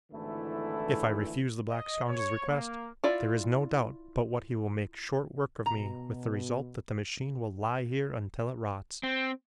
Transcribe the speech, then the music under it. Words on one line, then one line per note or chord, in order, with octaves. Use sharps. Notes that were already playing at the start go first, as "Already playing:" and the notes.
If I refuse the black scoundrel's request, there is no doubt but what he will make short work of me with the result that the machine will lie here until it rots.
G#1 D3 E3 A3 E4 A4
D#5
C#5
A#3
E4 F4 D5
B2 A#5
C4